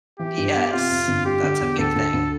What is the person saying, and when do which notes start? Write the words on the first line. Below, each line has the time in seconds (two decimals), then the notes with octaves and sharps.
Yes. That's a big thing.
0.19 E3 G4
0.38 G2
0.55 B3
0.72 C3 F4
0.90 F2
1.08 G1
1.25 G3 G4
1.43 D3
1.61 E2
1.79 D2 A4
1.96 D2
2.13 D2